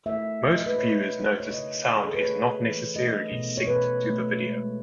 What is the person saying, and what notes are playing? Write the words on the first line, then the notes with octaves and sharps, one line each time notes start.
Most viewers notice the sound is not necessarily synched to the video.
A3 E5
B2
D#5
B4
B2 C#5
A3
C#5
C#3 D#5
C#3
G#4
A4
B4
A3 C#5
E3
A3 D#5
B2
C#5
B2 B4
A3
G#3